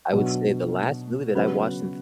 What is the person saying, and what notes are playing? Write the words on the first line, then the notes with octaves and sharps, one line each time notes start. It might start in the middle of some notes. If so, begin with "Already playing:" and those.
I would say the last movie that I watched in th
B2 F#3 B3 D4 F#4
C#3 F#3 B3 F#4 B4